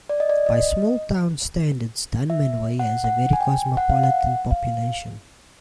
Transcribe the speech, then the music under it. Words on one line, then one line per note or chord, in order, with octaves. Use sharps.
By small town standards Dunmanway has a very cosmopolitan population.
D5
D#5
D5
D#5
E5
F#5
F#5
G#5
G5
F#5
F5
F#5
F5